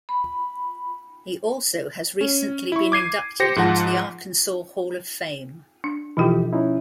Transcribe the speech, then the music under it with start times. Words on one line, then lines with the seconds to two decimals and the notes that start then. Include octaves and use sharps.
He also has recently been inducted into the Arkansas hall of fame.
0.09 B5
2.21 C#4
2.72 E4 C#6
2.92 D6 G#6 C7 D#7
3.40 G4 C5 A#6 C#7
3.56 G#2 F3 F#5 A5
5.84 D4
6.17 B2 E3 F3 D#4 F4 G4
6.53 C#4 D#4 E4